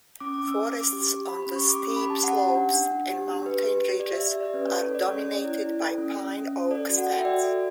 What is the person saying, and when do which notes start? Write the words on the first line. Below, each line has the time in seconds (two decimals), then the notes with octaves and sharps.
Forests on the steep slopes and mountain ridges are dominated by pine-oak stands.
0.20 C#4 D6
0.34 C#4 D6
0.48 E6
0.56 C#4
0.75 C#4 D6
0.93 G4
1.11 G4
1.29 G4 B5
1.42 C#4 B5
1.56 C#6
1.65 G4 D6
1.83 C#4 D6
1.96 B5
2.01 G4
2.10 A5
2.20 C#4 F#5
2.37 G4 F#5
2.55 D4
2.74 D4
2.92 D4
3.10 G4
3.27 D4
3.46 G4 B4
3.63 G4
3.82 G4
3.99 G4 D5
4.13 E5
4.18 G4
4.27 E5
4.36 G4 D5
4.54 C#4 B4
4.67 A4 C#5
4.81 C#5
4.90 A4 D5
5.08 C#4 C#5
5.26 C#4
5.35 D5
5.44 E4
5.62 E4
5.81 A4
5.98 C#4
6.17 C#4
6.35 C#4
6.53 C#4
6.71 A4 D5
6.89 F#4
6.98 F#5
7.06 A4 G5
7.21 E5
7.25 F#4 D5
7.43 A4